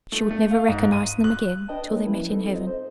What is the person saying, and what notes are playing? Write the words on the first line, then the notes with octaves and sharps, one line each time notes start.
She would never recognise them again, till they met in Heaven.
A3
A3
F5
G#2
D#7
F#6
D4 B4 D#5 G5 A5
G#3 A#3 D#4 A#4 C#5
F3 G3 C#4 E4 B4
C4 D#4 A4
C4 F4 D#5
C5